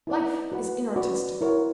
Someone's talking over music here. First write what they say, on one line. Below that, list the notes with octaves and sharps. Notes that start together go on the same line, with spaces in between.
Life is inartistic.
E4 B4 D5 F#5
F#4 B4 F#5
C#4 F#4 B4 D5
E4 A#4 C#5 F#5